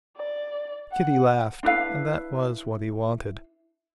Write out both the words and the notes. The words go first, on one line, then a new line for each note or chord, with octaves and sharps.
Kitty laughed; and that was what he wanted.
D5
F#5
D4 E4 B4 F5